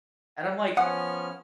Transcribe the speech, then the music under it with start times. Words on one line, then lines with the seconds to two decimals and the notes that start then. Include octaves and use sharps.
and I'm like,
0.77 F3 B3 C#4 F#5 D#6 F6